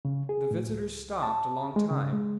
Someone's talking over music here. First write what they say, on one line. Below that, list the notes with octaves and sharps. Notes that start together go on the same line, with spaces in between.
The visitors stopped a long time.
C#3
G#4
A2
C#2
A5
G#3
C#3
G#3